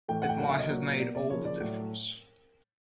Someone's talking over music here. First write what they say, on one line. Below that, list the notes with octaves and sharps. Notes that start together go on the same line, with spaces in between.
It might have made all the difference.
A2 E3 A3 G5
F#5
G5
D3 F#3 A#3 F#5
E5
D#5
A#2 F#3 A#3
B2 G3 A#3 D5
D5
C#3 F3 A#3 C#5
D5
A2 F#3 A3